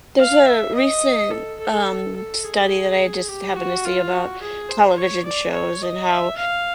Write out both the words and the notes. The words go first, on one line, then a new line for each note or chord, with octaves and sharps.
There's a recent, um, study that I just happened to see about television shows and how,
F5
E5
D#5
A4
A4
A4
G#4
G4
F#4
F4
F#4
G#4
C5
C#5
D5
C#5
D#5
E5
F5